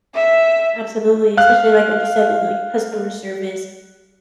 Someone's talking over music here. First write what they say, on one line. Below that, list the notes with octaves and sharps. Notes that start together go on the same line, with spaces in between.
Absolutely, especially, like, what you said with, like, customer service.
E5
F5 F#6